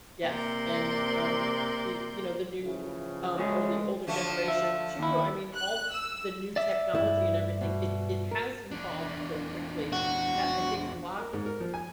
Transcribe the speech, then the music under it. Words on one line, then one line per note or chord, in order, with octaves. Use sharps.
yes, and, um, y you know, the new, um, or the older generation too, I mean, all the new technology and everything, it it has evolved so quickly that I think a lot,
C3 A#3 A#4 D5 C6 G6
A2 C#3 E3 F3
F#3 G#3 A3 C#4 G#4
D3 F3 A3
E5
D#2 E4
F#6
E6
D5 E5
G2 A3 E4
B2
A#4
E2 D4
F#4
A#4
G#2
A#4
F3
G#5